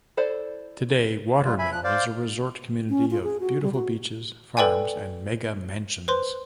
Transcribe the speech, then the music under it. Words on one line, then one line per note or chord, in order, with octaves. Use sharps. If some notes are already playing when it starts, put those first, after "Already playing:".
Today Water Mill is a resort community of beautiful beaches, farms and mega mansions.
E4 A4 C5 D5
G3 F4
E5 G#5 B5
F3 F#6
C5 D5 F5
C#4
F4
G#4
F#4
G3
F#4
A4 B4 D5 G5 G#5
B4 C5 C6